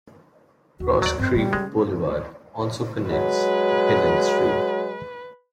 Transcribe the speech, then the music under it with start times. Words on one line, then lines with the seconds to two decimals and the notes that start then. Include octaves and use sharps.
Cross Creek Boulevard also connects to Kinnan Street.
0.80 D#2 F#4
1.02 D#2 F#3 D5
1.19 F#2 C4
1.35 G3 B3
1.53 G#3 C#4
3.11 F#3 G#3 B4